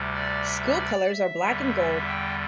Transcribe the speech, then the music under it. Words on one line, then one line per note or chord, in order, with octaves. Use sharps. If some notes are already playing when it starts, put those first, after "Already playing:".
School colors are black and gold.
Already playing: D2 C3 G3
D5
E5
D5
E5
E2 D3 G3
G5